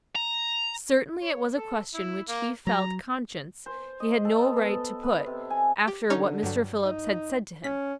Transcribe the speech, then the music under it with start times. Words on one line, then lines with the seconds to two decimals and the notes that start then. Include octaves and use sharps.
Certainly it was a question which he felt conscious he had no right to put, after what Mr. Phillips had said to him.
0.16 A#5
1.22 C#5
1.57 A4
1.94 E4
2.28 A#3
2.67 F#3 A#5
3.66 C5
4.00 D#5
4.25 A4
4.41 B3
4.57 A4
5.03 B4
5.26 C3
5.50 G#5
5.88 G4
6.10 D3 C#4 D#4 C#5
6.43 G2 F#3
6.84 D#4
7.64 C#4 B6